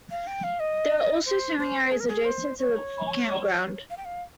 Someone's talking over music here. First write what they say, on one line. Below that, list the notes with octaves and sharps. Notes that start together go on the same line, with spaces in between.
There are also swimming areas adjacent to the campground.
F5
G5
F5
D#5
C5
C5
G#4
A#4
G#4
C5
C#5
F5
G5
F5